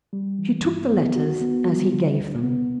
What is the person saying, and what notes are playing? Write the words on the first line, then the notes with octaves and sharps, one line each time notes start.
She took the letters as he gave them.
G3
E3
G2
B3
D2 F#4
B3
G3
D3
D2
B3